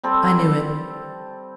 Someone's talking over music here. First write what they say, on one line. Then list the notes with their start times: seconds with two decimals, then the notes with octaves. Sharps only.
"I knew it."
0.04 G3 C4 A4